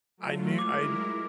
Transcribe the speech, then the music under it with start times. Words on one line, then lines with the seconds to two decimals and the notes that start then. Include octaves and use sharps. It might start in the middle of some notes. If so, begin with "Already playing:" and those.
I knew, I kn
0.17 F#3 A3 F4
0.59 G#3 E4 A#4 D6